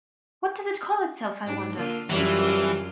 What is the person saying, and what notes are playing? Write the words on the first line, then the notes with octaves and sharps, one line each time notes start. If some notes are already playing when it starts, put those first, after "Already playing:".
What does it call itself, I wonder?
G#2 D4
D3 A#3 F4
F#2 D3 E3 G3 F4